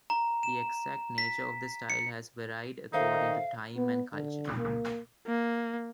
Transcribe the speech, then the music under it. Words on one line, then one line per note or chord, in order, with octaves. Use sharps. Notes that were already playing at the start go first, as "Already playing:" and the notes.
The exact nature of the style has varied according to time and culture.
A#5
E7
B6
C#7
D#3 D#4 A4 C5 E5 F5
B3
D3
A#3
A#3